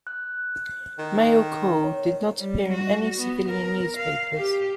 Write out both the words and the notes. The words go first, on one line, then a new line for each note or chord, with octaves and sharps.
"Male Call" did not appear in any civilian newspapers.
F#6
D#3
C#5
G3
F#4
B3
A#4
F5
G4